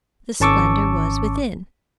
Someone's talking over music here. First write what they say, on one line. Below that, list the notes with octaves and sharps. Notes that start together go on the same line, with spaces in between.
The splendor was within.
G#1 C#4 A5 C#6 D6 E6